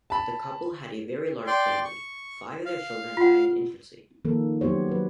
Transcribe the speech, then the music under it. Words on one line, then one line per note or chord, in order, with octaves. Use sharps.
The couple had a very large family; five of their children died in infancy.
A5 B5
D5 G5 C6
C#6
F5
F4 F#5
D#3 F3 A#3 A4 A#4
F#3 B3 G4 C5 C#5
F#3 B4